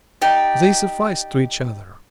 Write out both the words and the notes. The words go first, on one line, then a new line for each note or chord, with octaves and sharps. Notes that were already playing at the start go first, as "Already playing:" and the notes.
They sufficed to each other.
D#4 G4 D5